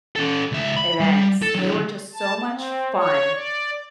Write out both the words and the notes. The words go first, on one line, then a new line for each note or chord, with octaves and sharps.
events. They were just so much fun,
C#4 A4
C#2 E5
B5
G3
A4
D3 F#3
A5
C4
C#5
D5